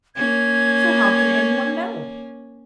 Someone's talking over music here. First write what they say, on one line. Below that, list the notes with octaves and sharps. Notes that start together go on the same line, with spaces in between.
So how can any one know?
A#3 C#4 G#6